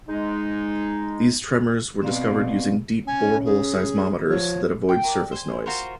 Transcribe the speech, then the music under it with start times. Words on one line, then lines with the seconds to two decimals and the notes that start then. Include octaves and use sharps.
These tremors were discovered using deep borehole seismometers that avoid surface noise.
0.09 G#3 D#4
2.02 B2 C4 D5 F5
3.07 C#4 G#5
3.46 G#4
4.30 F3 C#5
4.89 G5
5.04 A#4 D5
5.32 C5 G#5
5.66 F4 F#4 A#4 C5